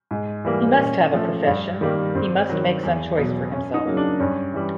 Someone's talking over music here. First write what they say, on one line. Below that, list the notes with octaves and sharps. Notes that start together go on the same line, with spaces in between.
He must have a profession; he must make some choice for himself.
G#2
E3 G3 A#3
A#2 C#4
F3 A3
G2
D#3 G3 A#3
G2 C4
D#3 F#3
E2
B2 F#3
F#2 C#4
D#4
C#3 F#3 A#3
D4
G2 C#4
E3 G3